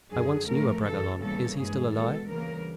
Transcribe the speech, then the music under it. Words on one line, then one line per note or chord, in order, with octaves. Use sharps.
"I once knew a Bragelonne--is he still alive?"
F#2 D3 F#3 G#4
A2 F3 A3 A#4
F#2 C#3 E3 A4
E2 C#3 E3 G3 A#3 A4
G2 E3 G#3 G#4
B2 G#3 A4
D2 C#3 E3 G3 A#3 A#4